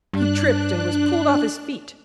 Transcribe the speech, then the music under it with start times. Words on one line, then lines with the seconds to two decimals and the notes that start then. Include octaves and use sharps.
He tripped and was pulled off his feet.
0.13 G2 D4 F#6